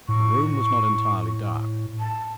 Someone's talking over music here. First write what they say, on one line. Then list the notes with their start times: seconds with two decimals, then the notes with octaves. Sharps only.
The room was not entirely dark.
0.08 A2 C#6
2.00 A5